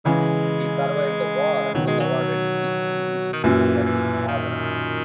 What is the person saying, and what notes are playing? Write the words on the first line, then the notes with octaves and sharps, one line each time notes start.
He survived the war and was awarded a Distinguished Service Order.
C#3 E3 G#3
B2 D#3 F#3
G#3
F#3
D#3
F#2 A#2 E3
E3
D#3